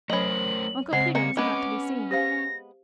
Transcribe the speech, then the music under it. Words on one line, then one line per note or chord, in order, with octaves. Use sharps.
Uncle Peter was not to be seen.
F#3 A3 C#4 A#4 C5 D#5 B5 F#7
C#3 G#3 C4 C5 F#5 C7
G#3 A#3 C4 C#7
G#3 B3 C#4 D#5 D6
G4 C5 F5 A#6